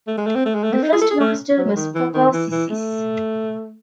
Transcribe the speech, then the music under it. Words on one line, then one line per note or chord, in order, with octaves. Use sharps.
The first master was Papasisis.
A3
G#3
A3
C4
A3
G#3
A3
C4
D#4
G#4
A4
G#4
A3
F#3
D#3
E3
D#3
E3
E3
A3